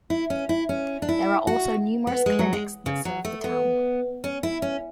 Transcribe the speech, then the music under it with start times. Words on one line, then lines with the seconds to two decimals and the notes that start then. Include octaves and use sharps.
There are also numerous clinics that serve the town.
0.10 E4
0.30 C#4
0.49 E4
0.69 C#4
1.02 D4
1.09 E4
1.47 F#4
2.07 B3
2.26 G#3
2.39 F#3
2.53 G#3
2.86 C#3
3.05 F#3
3.25 A3
3.44 B3
4.24 C#4
4.43 E4
4.62 C#4